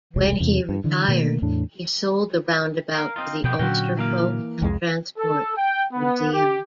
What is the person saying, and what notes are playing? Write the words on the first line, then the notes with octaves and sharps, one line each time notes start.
When he retired he sold the roundabout to the Ulster Folk and Transport Museum.
E1 C2 C3 G#3
E2 C3
G2
D3 E3
B2 D#3 A3 A#3
E2 A2 D4
A#4 F5
C4 D#4 F4
F2 B2 B3 G5
A#2 D3 F#3 C#4 F#4 G5
E3 A#3 F5
C2 F2 G#3
A4
G5
B3
G4